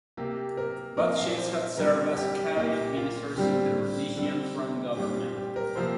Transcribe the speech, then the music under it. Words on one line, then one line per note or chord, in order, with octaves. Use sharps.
Both chiefs had served as Cabinet Ministers in the Rhodesian Front government.
C3 A#3 G4
A#4
A#2 F3 C4 A#4
F5
D5
C5
D3 G3 C4 A#4
G4
A#2 A#3 G4
F4
D3 G3 C4 G4
D3 G3 C4
A#2 G3 C4 G4
F4
G4
A#4
C3 F3 A#3 C5